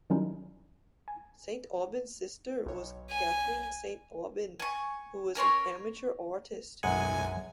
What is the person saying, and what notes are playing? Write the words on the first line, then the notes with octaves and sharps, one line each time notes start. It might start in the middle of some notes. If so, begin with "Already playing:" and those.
Saint Aubyn's sister was Catherine Saint Aubyn, who was an amateur artist.
D#3 F#3 G3 C#4 D#4 E4
G#5
B1 C#5
G#5
G#5 C#6
C#4 A#4 C#5 C6
B1 F#2 G#3 F#5 G#5